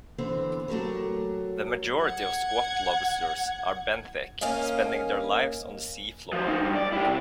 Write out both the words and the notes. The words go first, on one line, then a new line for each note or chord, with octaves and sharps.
The majority of squat lobsters are benthic, spending their lives on the sea-floor.
D3 E3 B3 C4
F#3 A3 G4 A#4 C#5
F#5 G#6
A#3 C#4 D#5 F5
F3 F#3
F3 D#4
G2
D5
E4 G4
C3